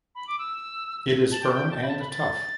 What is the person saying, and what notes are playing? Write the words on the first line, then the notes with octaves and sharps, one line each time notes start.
It is firm and tough.
B5
D6
E6
A5
G5
A5
G5
G5
A5
G5
B5
A5
B5
A6